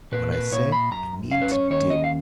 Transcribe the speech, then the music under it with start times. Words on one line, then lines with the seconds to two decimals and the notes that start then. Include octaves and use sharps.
What I say, I mean to do!'
0.12 A#2 B4
0.32 B4
0.52 A#2 C#5
0.72 B5
0.92 F#2 A#5
1.31 C#4 F5
1.42 B4
1.52 C#5
1.70 D#2 C#5
1.90 D#5
2.04 F5